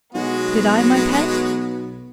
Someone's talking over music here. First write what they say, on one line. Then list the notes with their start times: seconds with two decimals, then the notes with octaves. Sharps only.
"Did I, my pet?"
0.14 B1 F#3 G#3 B3 F#4